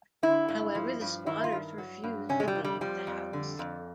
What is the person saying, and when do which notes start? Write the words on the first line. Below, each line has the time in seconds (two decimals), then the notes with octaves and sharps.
However, the squatters refused to leave the house.
0.23 D3 E4
0.48 G2
0.75 F3
1.01 G2
1.26 D#3 E4
1.44 F4
1.52 G2
1.78 F#3
2.03 G2
2.29 C3 C#4
2.40 G#3
2.48 G3
2.55 F2
2.64 G3
2.81 F3 G3
3.07 F2
3.33 D3
3.59 F2